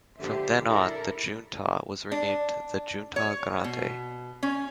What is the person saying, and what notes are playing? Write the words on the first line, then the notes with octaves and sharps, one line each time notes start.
From then on, the Junta was renamed the "Junta Grande".
A#2 D3 G4 C5 E5
D4 E4 A4 A#4
D4
C#5
B2
C#4